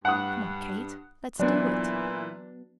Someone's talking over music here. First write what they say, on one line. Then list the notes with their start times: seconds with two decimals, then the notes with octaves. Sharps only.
Come on, Kate, let's do it!
0.05 G2 F#5 D#6
1.40 A#2 E3 F#3 B3 D4